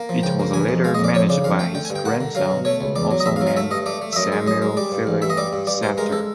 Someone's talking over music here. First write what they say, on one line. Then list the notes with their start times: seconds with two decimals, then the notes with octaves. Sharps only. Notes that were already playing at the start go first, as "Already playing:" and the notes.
It was later managed by his grandson, also named Samuel Philip Sadtler.
Already playing: A#3
0.09 F3
0.23 C#2 G5
0.39 A#3
0.54 E3 G#5
0.69 F2
0.84 G#3 F5
0.95 D#5
0.99 F2 D5
1.14 F2 C#5
1.29 C#3 D5
1.44 F2 F5
1.59 A3 G5
1.75 D3 G5
1.85 G#5
1.90 G2
1.96 G5
2.05 A#3 F#5
2.21 D3
2.35 F#3 F5
2.51 B2
2.65 A3 C#5
2.81 C#2
2.96 E2 D5
3.11 F#3
3.20 D#5
3.26 E2 E5
3.36 F5
3.41 F#3
3.47 F5
3.57 A3 E5
3.71 G2 D#5
3.86 A3 D5
4.02 A3
4.13 E5
4.16 F#2 D#5
4.32 G#3
4.47 F#2 D#5
4.62 G#3
4.77 G3 D5
4.92 G2
5.07 A1
5.22 G2 E5
5.30 D#5
5.37 G3 D5
5.53 G2
5.67 G2 D5
5.83 G2 C5
5.98 G#3 A#4
6.12 A4